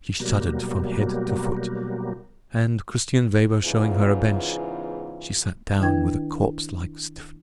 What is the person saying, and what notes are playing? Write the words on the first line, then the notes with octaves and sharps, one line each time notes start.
She shuddered from head to foot, and Christian Weber showing her a bench, she sat down with a corpse-like stiffness.
B2 F#3 G3 A#3
E2 G#2 C#3 E3 B3 F4
D#3 D4 E4 B4 G5 G#6